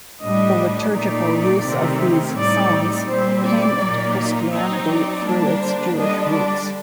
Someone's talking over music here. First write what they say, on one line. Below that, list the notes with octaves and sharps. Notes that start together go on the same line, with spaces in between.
The liturgical use of these psalms came into Christianity through its Jewish roots.
A2 G3 D4 D#5
A#2 A3 D#4 D5
C3 D#3 A3 C4
A2 G3 C4 D#4 D5
A#2 G3 C4 C5
D5
A#2 F#3 A#3 D#4
F#3 C4 D#4 D#5
D5
D3 G3 A#3 D4
C5
D3 G3 D4 D#5
D5